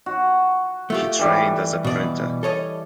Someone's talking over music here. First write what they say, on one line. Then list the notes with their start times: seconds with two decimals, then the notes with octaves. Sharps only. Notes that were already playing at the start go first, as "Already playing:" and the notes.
He trained as a printer.
0.06 F#4
0.90 A3 F4 G4
1.19 E3 G3
1.84 B2 D5
2.43 A4 C#5 D#5